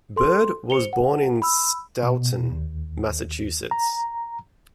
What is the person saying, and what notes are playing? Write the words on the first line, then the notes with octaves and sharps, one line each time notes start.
Bird was born in Stoughton, Massachusetts.
A4 C6
C5 C#7 F7 G7
F#5
B5 E6
B2
D#2
A#5